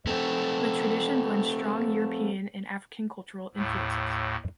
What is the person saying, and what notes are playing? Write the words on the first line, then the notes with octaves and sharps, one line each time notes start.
The tradition blends strong European and African cultural influences.
A3 C4
D#2 A2